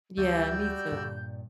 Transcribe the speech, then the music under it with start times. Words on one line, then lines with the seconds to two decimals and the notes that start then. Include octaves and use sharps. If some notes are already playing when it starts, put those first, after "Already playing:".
Yeah, me, too.
0.17 D2 G3 F#4 D5 E6 G6
0.92 G2 A#2